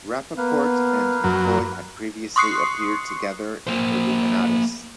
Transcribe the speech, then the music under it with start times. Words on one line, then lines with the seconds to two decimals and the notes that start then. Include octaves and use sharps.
Rappaport and McCoy had previously appeared together in Illuminatus!
0.37 A#3 B3 B4 F5
1.24 F#2 F#3
2.36 C6 C#6 D#6 F#6 C7 C#7
3.67 A#3 C5